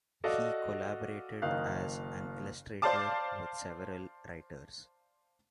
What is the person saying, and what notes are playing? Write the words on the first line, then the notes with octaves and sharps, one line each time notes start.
He collaborated as an illustrator with several writers.
F#4 A4 D5 D#5 F5 F#5
F#1 D#3 D#4 F5 F#6
C5 D5 F5 A5 D6